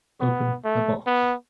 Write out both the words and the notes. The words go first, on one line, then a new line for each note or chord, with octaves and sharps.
Open the box.
B3
A3
B3